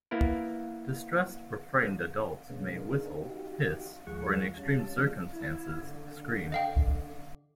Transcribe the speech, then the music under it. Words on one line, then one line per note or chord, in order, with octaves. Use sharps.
Distressed or frightened adults may whistle, hiss, or in extreme circumstances, scream.
A#3 B3 E4 A#4
B2 D3 G#3 B3 C#4
B3 D4 D#4 G#4 A#4
D#4 F#4 G4
D#2 F3 G#3 G#4 F#5 C#6
G3 C#4 A5
D3 F3 G3 G#3 A#3 D4
E4
D3
D#5 F5 G5